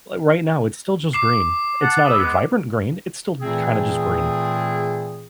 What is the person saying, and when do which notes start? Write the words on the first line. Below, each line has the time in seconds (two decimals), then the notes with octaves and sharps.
Like right now, it's still just green. It's not a vibrant green, it's still kinda just green,
1.13 D6 C7
1.82 F#5 A5
2.05 B5 D#6 E6
2.19 G#3 B3
3.40 A#2 E3 A3 C4 G#4